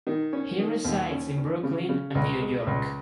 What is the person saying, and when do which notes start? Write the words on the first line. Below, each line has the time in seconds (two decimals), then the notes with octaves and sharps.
He resides in Brooklyn, New York.
0.07 D#3
0.33 C#4
0.59 D#3
0.85 D#2
1.11 C#4
1.37 C#4
1.63 C#3
1.89 C#3
2.15 C#2
2.41 G#3
2.67 C#2